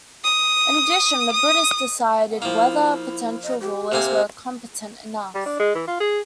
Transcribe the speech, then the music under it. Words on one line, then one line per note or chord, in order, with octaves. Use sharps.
In addition, the British decided whether potential rulers were competent enough.
D#6
D#6
F3 A#3 E4
D#5
G4
C3 A#3 C5 G#5
G3
D4
G#3
E3
F4
G#4